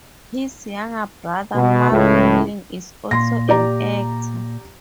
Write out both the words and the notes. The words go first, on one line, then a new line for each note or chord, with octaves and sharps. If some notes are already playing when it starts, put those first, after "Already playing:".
His younger brother, Mark Welling, is also an actor.
B2
C#2 A2
A#2 C6 A#6
G4 D5 A#5